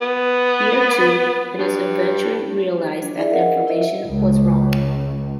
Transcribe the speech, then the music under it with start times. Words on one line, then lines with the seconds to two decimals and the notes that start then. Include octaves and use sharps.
Here, too, it is eventually realized that the information was wrong.
0.02 B3
1.58 G2
3.02 D4
3.17 E4 G#4 D5 E5
3.31 A#4 D#5 F5 F#5
3.67 E4 A#4 D#5 E5
4.05 C#2